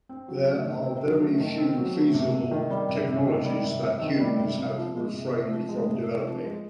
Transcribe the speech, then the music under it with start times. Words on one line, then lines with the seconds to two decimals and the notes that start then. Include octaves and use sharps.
There are very few feasible technologies that humans have refrained from developing.
0.09 C4
0.28 F#3
0.46 A3
0.65 D#3
0.83 C4
1.02 F#3
1.22 A3
1.40 D#3
1.58 C4
1.78 F#3
1.96 A3
2.14 C3
2.33 C3
2.51 D#3
2.70 G3
2.89 C3
3.08 C3
3.26 D#3
3.45 G3
3.64 C3
3.83 C3
4.01 D#3
4.20 G3
4.39 C3
4.58 C3
4.76 F3
4.95 G#3
5.13 C3
5.32 C3
5.50 F3
5.69 G#3
5.89 C3
6.06 C3
6.26 F3
6.44 G#3